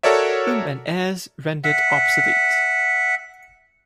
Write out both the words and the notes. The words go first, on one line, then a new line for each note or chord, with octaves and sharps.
Um's and Er's rendered obsolete.
F#4 A4 A#4 C#5 D5 E5
E5 F#5